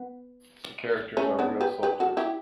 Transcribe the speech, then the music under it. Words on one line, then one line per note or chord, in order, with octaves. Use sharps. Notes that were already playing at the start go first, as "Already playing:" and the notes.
The characters are real soldiers.
Already playing: B3
A3 C#4
B3 D4
G4 B4
G4 B4
F#4 A4
E4 G4